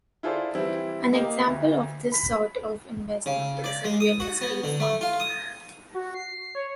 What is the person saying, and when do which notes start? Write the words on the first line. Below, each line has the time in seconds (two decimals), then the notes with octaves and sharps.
An example of this sort of investment is a real estate fund.
0.23 E4 F4 G#4 A4 C5 D5
0.55 E3 G3 C4 E4
1.13 A#3 G4 D#5
1.47 D2
2.12 B5 B6
3.26 C#3
3.64 D5
3.84 G#3
4.00 D#6
4.20 F#4
4.41 B3
4.64 D3
4.80 A3
5.01 F4
5.20 D#6
5.94 F#4
6.14 C7
6.55 C#5